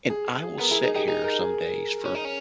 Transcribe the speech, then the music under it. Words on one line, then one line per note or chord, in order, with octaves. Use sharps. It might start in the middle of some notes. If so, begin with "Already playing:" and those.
and I will sit here some days, for
G#4
G#4
G#4
B3 A#4
E4 G#4
D#4 G#4
D#4 G4
D#4 G#4
A#4
G#4
C#4
D#4
C#4